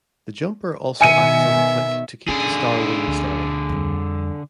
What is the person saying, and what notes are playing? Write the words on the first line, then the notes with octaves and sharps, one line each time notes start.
The jumper also acts as a click to keep the star wheel steady.
B2 D#3 E5 G#5 C#7 D#7
D3 C#4 G#4
D2
F2 G3